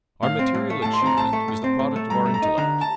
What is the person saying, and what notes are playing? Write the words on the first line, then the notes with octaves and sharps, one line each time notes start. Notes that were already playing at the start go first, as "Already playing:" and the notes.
Our material achievement is the product of our intellect.
A2 F5
C4
A2
A3
A2 A5
C6
C4 A#5
A2 A5
A3
A2
C4
A2
A3
G2 A#5
A3
A#5
D#4
D3 A#5
A5